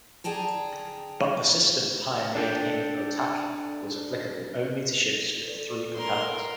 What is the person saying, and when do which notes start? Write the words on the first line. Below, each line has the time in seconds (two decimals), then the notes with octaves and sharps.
But the system pioneered in "Otaki" was applicable only to ships with three propellers.
0.24 G#4 D5 G5 A5 A#5
2.35 D4 A4 G5
5.47 A4 B4 D5
5.96 A#4 C6